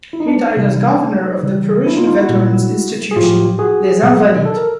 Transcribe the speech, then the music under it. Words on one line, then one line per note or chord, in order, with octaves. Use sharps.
He died as governor of the Parisian veterans institution Les Invalides.
E4
D#4
D4
D#4
C3 E3 G3
C#3 E3 G3
D4 E4
D#4 F4
D#4 F4
E4 F#4
A#2 G3
G#4
A2 F3 F4 G4
F#4 G#4
B2 F#3
A4
A#4